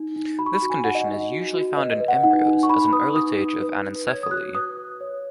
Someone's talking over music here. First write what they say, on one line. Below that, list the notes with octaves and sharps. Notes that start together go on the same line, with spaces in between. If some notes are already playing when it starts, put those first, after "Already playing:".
This condition is usually found in embryos as an early stage of anencephaly.
Already playing: D#4
D#4
F#4 B5
C#6
B5
F#4
G#5
D#4 F#5
D#5
D#4
D#5
F#4
F#4
B4 D#5
D#5
B4
F#5
D#4 F#5
D#4
C#6
D#4 B5
B4 D#6
D#4 D#6
D#4
B4
B4
C#5 G#6
D#6
F#4 F#6
B4 D#6
B4
C#5